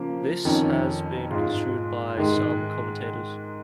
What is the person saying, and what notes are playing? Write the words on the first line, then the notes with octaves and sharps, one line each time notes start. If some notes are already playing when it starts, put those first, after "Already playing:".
This has been construed by some commentators.
Already playing: C#3 F3 A#3
F2 D#3 C#4
G#2 G#3 F4
G#2 D#3 G#3